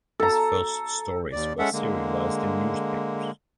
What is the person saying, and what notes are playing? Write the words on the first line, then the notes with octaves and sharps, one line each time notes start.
His first stories were serialized in newspapers.
A4 A#5
D#2 D5
G#3 C#4 A4 E5 F#5
D3 G#3 A#3